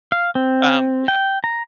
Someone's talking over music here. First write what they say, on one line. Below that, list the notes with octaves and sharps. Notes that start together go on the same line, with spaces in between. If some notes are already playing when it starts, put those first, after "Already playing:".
Um, yeah.
F5
C4
G5
A#5